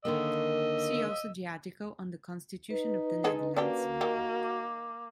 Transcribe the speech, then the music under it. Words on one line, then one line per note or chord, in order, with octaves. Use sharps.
See also the article on the Constitution of the Netherlands.
D3 D#3 A#3 D#5 E6
D#4 B4
G#3 G#4 A4
A#3 C#4 D4 F#4 G4
D#3 G4
D6